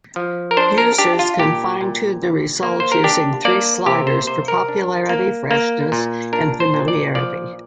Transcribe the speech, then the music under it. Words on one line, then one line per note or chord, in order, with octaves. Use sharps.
Users can fine tune the results using three sliders for "popularity", "freshness" and "familiarity".
F3
A#4
D4 C5
A#4
D4 G4
F4
A#2 G4
A#2
D3
A#3
C5
A#4
D4 G4
A#3 D5
C3 G4
C5
C3 C5
A#4
D4
A#3
A#3
A#2
D4 A#4
C5
A#2
D5
F3 D5